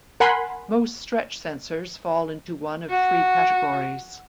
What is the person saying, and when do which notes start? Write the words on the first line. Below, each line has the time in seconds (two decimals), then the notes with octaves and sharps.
Most stretch sensors fall into one of three categories.
0.20 A#4 F#5 G#5 B5 C6
2.90 F#4